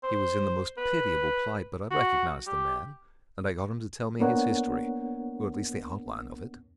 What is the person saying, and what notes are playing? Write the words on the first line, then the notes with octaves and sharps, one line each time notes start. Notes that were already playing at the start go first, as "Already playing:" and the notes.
He was in the most pitiable plight, but I recognized the man, and I got him to tell me his history, or at least the outline of it.
C5
B4
F#4
G4
A#3 B3 D4 A#4 C#5 F#5